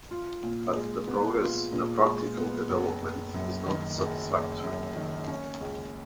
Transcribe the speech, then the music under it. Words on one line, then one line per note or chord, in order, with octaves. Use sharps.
But the progress in practical development is not satisfactory.
F4
A#2
G#3
B3
F4
A#2
G#3
B3
F#1
F#1
F#2
D#3
F#1
F#1
F#2
D#3
C#4
C#2